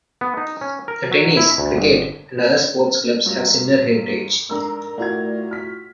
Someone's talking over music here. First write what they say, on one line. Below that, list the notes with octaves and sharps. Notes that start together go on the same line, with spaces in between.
The tennis, cricket and other sports clubs have similar heritage.
B3
D#4
C#4
A#4
F#3
E4
D2
G1
G2 F#3 F4
G#2 D4 A4 A#4 A#5 E6
A2 A3 F4 F#4 D5 G#6
F6 B6